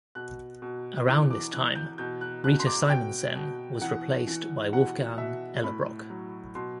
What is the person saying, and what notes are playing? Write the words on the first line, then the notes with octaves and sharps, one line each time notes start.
Around this time Rita Simonsen was replaced by Wolfgang Ellerbrock.
B2 F#6
B2
E3 D6
D6
E3 F#6
G6
B2 G6
F#6
B2 F#6
C6
D6
B2 G5
B2
E3 F#5
E3
B2 F#5
B2 E5
A2 B5
F#3
B2 C6